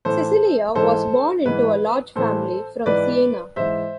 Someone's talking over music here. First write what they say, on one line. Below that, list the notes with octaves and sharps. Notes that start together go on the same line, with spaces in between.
Cecilia was born into a large family from Siena.
A2 E3 A4 C5
G#2 E3 A4 C5
G#2 E3 B4
A2 E3 A4 C5
G#2 E3 B4 D5
G#2 E3 C5 E5